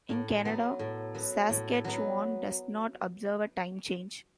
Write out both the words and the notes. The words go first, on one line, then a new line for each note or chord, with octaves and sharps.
In Canada, Saskatchewan does not observe a time change.
A2
F#3 B3
A2
F#3 B3
A2
F#3 B3